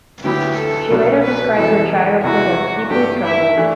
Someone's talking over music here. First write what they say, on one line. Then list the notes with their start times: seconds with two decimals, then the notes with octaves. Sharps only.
She later described her childhood as deeply troubled.
0.24 D2 D3 F#3 B3 E4 G4
0.57 A4
0.91 C2 B2 F#3 B3 D4
1.24 B4
1.57 F#2 E3 B3 E4 A4
2.24 E2 C3 E3 B3 E4 F#4
2.90 G2 F#3 A3 D4 G4
3.24 E4
3.57 E3 A3 D4